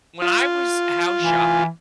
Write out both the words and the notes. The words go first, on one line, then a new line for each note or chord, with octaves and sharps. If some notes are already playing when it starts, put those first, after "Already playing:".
when I was house shopping
F4
E3